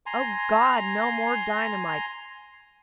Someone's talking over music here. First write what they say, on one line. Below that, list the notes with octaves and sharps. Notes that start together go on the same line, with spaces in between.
O God! no more dynamite!
G#5 A#5 C6